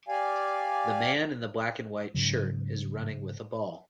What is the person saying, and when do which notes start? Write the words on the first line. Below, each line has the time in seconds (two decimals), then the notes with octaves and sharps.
The man in the black and white shirt is running with a ball.
0.08 G4 D5 F5 G#5
2.14 G#2 C#3 F#3